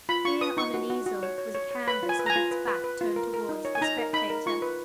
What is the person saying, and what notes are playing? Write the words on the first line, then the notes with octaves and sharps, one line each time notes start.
Here, on an easel, was a canvas with its back turned towards the spectator.
F4 B5
F4 C#6
B4 D#6
D#4 C#6
F#4
F#4
F#4
C#5
C#5
C#5
C#5
B4 B5
F4
G#5
B4
A#5
G#5
F4
B4
B4
B4
F4
A#4
A#4
D#4
C#5
G#5
D#4 A#5
A#4
D#4 B5
A#4
F4 C#6
B4